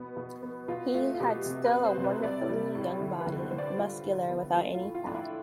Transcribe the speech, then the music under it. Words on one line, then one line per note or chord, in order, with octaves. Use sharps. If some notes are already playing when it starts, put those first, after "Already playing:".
He had still a wonderfully young body: muscular, without any fat.
Already playing: B2 B3
B2
B3
B2 F4
A3 F4
F4
B2 G4
C3
B4
B3
C5
C3
B4
G3 D5
G3
A2
D3
B4
D3
C5
D3 C5
D5
G3 F4
A2
B3
A3 F4
F4
A2
F4
A2 D4
E4